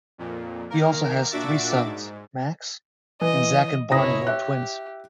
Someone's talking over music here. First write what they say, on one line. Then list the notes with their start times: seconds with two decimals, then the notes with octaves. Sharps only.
He also has three sons: Max, and Zak and Barnie who are twins.
0.18 F2 A#2
0.70 D#3 A#3 A#4
1.30 A#2 D4 F#4 E5 D6 A6
1.85 G#2
3.21 E3 D#5
3.92 F#1 E4 C#5 D#6 A#6
4.27 G4 E5 F#6